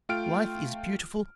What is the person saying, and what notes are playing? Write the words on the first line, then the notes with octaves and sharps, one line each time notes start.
Life is beautiful.
A3 F4 G5 F6 D7